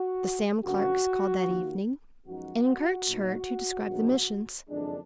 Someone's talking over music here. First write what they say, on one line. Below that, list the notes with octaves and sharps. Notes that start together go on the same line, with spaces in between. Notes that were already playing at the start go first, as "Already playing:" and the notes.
The Sam Clarks called that evening and encouraged her to describe the missions.
Already playing: F#4
F#2 D3 F3 A#3 F#4
D#2 D#3 A#3 F4
F#2 F3 G#3 B3 D#4 F#4
A#2 F#3 B3 D#4
A#1 G#2 D#3 F#3
F#1 F2 D#3 G#3 D4